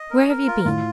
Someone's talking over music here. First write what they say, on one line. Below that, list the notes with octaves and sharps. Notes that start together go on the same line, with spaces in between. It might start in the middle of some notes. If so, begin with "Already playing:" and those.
Where have you been?'
Already playing: D#5
A#4
A#4
F4
A2 F4